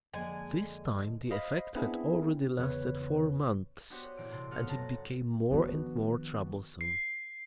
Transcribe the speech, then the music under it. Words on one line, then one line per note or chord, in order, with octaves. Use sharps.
This time the effect had already lasted four months and it became more and more troublesome.
F1 D3 F3 G#3 A#3 G#5
C5 D#5 F5 B5
B3 C4 D4 E4 G#4
E2 C#3 B4 C#5
B3 D4 F#4 G4 C5 C#5
A#2 E3 D7
A2 C3 C6 A6
A3 B3 F#4 C5 C#5 F5
F#1 A5 A#5
D#3 F3 B3 D4 F#4
C7